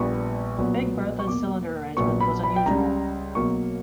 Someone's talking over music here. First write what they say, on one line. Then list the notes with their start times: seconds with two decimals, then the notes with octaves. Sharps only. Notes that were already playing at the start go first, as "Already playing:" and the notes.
Big Bertha's cylinder arrangement was unusual.
Already playing: A#1 A#2 G3 B3 C#6
0.58 B1 A#2 F#3 B3
1.19 C#6
1.28 E2 B2 A#3 D6
1.97 A#1 A#2 F#3 B3 C#6
2.20 B5
2.43 B5
2.56 G5
2.66 C#2 C#3 G3 A#5
3.35 B1 B2 F#3 A#3 C#6